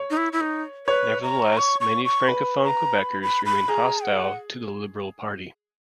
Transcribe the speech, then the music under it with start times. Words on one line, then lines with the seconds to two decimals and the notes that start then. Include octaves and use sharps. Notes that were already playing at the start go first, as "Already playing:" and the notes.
Nevertheless, many francophone Quebecers remained hostile to the Liberal Party.
Already playing: C#5
0.10 D#4
0.17 E4
0.33 E4
0.41 D#4
0.87 B4 C#5
1.23 A#5
1.57 C#6
1.81 C#6
2.05 C#6
2.28 B4 B5
2.64 A#5
2.99 B5
3.23 B5
3.46 B5
3.69 G#4 A#5
4.04 F#5